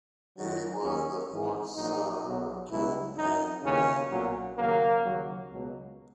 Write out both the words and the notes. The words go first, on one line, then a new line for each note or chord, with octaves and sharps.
He was the fourth son of King Ang Eng.
F#2 D#3 F#3
D#2 D#3 F#3 C#4
G#1 G#2 E3
A#1 A#2 F#3 D#4
B1 B2 F#3
C#2 B2 F#3 E4
F#2 E3 D#4
D#2 C#3 E3 C#4
B1 A#2 F#3
D#2 C#3 F#3 A#3
D#2 C#3 F#3
C#2 B2 F#3